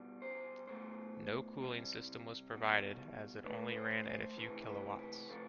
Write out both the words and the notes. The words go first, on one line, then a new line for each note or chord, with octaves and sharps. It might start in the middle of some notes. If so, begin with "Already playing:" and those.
No cooling system was provided as it only ran at a few kilowatts.
Already playing: B2 G3
C5
B2 A3 C5
C3 G3
B2 G3
D3 A3 B4
B4
C5
C5
C3 E3 A3 B4
B4
B4
C3 F3 A3 A4